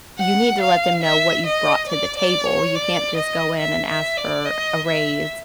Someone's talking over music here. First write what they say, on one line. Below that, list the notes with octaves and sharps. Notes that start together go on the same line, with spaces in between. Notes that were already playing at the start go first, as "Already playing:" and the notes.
you need to let them know what you've brought to the table; you can't just go in and ask for a raise,
F#5
F5
E5
D#5
D5
D5
C#5
D5
D#5
E5
E5
D5
D#5
E5